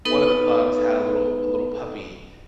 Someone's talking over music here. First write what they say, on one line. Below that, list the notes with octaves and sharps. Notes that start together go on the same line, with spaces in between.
one of the pugs had a little a little puppy,
B3 D#4 A4 B4